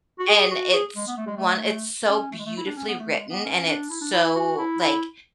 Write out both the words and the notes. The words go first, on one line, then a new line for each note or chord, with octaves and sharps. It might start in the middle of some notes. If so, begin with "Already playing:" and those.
and it's one it's so beautifully written, and it's so like
F#4
G#4
F#4
G#4
G#3
B3
A3
G#3
A3
A3
C#4
A3
G#3
A3
E4
D4
C#4
B3
A3
G#3
B3
C#4
D4
E4
D4
E4
F#4
E4
E4